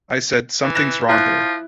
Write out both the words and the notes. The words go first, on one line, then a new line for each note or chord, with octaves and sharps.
I said, 'Something's wrong here'.
E3
F#6 A#6 E7
F3 E4 F#6